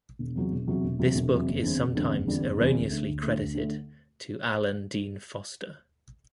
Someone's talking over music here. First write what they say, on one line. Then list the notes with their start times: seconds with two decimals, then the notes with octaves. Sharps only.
This book is sometimes erroneously credited to Alan Dean Foster.
0.19 E1
0.36 E2 C3 F#3
0.52 E1
0.67 E2 C3 F#3
0.83 E1
0.99 E2 C3 F#3
1.15 E1
1.31 E2 C3 F#3
1.47 F#1
1.63 E2 D3 G3 C4
1.79 F#1
1.95 E2 D3 G3 C4
2.11 F#1
2.26 E2 D3 G3 C4
2.42 F#1
2.58 E2 D3 G3 C4
2.75 D2
2.90 D3 A3
3.06 D2
3.23 D3 A3
3.38 D2
3.54 D3 A3